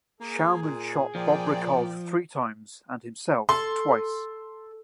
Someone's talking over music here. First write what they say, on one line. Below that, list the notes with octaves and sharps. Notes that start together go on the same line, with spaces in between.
Schauman shot Bobrikov three times and himself twice.
A#3 G#4
A#2
A#2 F3 D5 G5
A4 C6